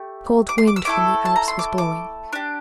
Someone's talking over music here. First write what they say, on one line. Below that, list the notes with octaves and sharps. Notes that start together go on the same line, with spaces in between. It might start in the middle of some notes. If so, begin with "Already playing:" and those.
A cold wind from the Alps was blowing.
Already playing: A3 G4
D6
C6
D6
E6
A3 E4 A4 D6
A5
A#5
C6
D6
D6
D4 G4